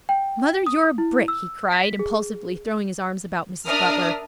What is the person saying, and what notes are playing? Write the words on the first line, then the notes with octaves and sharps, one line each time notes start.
"Mother, you're a brick," he cried, impulsively throwing his arms about Mrs. Butler.
G5
D#6
E4
E6
B6
G#4
D4 A#4 E5 D#6 F6